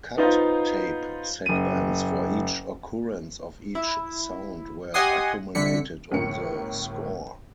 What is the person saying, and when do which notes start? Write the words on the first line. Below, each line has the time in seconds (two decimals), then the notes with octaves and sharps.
Cut tape segments for each occurrence of each sound were accumulated on the score.
0.17 B3 D#4 F4 C5 F5
1.46 F#1 D#7
3.75 E4
4.94 G4 D#5 F#5 G#5 C6 D#6
5.55 C2 D3 B6 C#7
6.11 G1 A2 A#4 C#7